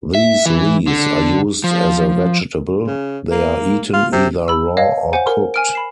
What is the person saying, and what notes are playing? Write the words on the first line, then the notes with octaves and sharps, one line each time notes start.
These leaves are used as a vegetable; they are eaten either raw or cooked.
E5
E3
D3
F3
C#3
A#3
F4
C3
B5 E6
C#5 D#5 F5
C5 F#5 G#5
A#4
G#5 F6 D7
B5 C7 E7